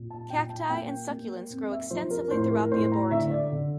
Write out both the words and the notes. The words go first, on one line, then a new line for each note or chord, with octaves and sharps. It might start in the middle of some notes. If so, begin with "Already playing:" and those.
Cacti and succulents grow extensively throughout the Arboretum.
Already playing: A#2
A5
A#2 G5
A5
A#3 G5
A#3
C4
E5
F3 C5
A#4
A2 C5
A#4
A2 C5
A#5
D3 E5
D5
D3